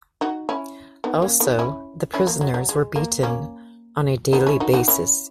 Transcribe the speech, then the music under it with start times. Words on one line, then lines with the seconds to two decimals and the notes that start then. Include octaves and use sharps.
Also, the prisoners were beaten on a daily basis.
0.21 D#4 F#4
0.49 C#4 E4
1.04 B3 D#4
1.22 A#3 C#4
1.40 B3 D#4
1.59 C#4 E4
2.14 C#4 E4
2.27 A#3
2.41 F#3
2.54 F#3
2.69 G#3
2.96 A#3
3.23 A#3 C#4
4.33 B3 D#4
4.47 C#4 E4
4.60 D#4 F#4
4.74 D#4 F#4
4.88 C#4 E4